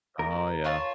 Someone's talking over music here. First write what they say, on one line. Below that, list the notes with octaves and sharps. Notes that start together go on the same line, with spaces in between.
Oh, yeah.
A#4
F4 C#5 A5